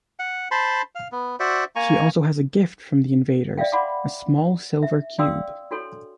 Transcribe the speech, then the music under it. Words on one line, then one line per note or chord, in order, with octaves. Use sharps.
She also has a gift from the Invaders - a small silver cube.
F#5
C5 A5 B5 C6
F5
B3
F#4 C5 D5 E5
A#3 G#5 A#5 C#6
D5 E5 F5 G5
D5 F#5 B5 C6 D6
E5
D5 F5 G5 C6 D#6 E6
D4 F#4 A4 C#5 C6